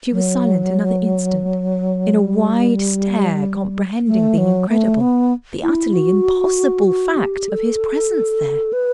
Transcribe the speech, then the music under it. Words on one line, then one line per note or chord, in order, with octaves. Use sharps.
She was silent another instant, in a wide stare comprehending the incredible, the utterly impossible fact of his presence there.
F#3
G3
A3
F#3
A3
B3
E4
F#4
F#4
G4
A4
B4